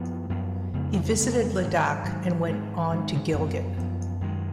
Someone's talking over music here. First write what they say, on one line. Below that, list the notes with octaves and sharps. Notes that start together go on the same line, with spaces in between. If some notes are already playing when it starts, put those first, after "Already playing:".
He visited Ladakh and went on to Gilgit.
Already playing: F#2 F3 B3
F#2 F3 B3
F2 C#3 G#3 B3
F2 C#3 G#3 B3
G#2 D#3 F#3
G#2 D#3 F#3
G#2 D#3 G#3
G#2 D#3 G#3
F#2 F3 B3
F#2 F3 B3
F#2 D#3 G#3